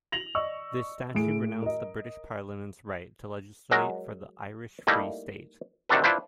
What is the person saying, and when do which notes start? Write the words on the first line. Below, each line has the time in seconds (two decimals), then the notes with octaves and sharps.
This Statute renounced the British Parliament's right to legislate for the Irish Free State.
0.12 A#6 F7 F#7
0.35 D5 D#5 C#6 E6
1.15 A2 G#4 D7
1.62 A#4 D#5
3.71 F#3 G#3 A#4
4.87 G3 A3 A#3 D#4 E4
5.89 C3 D#3 D4 F#4 A4 B4
6.04 D4 E4 F4 B4 C5